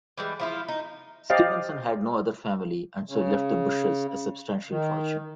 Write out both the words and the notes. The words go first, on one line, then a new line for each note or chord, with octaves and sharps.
Stevenson had no other family and so left the Bushes a substantial fortune.
E3 G3 G#3
F3 E4 F4
D#4
G4 C5 D5 D#5 F5
C#3
D#3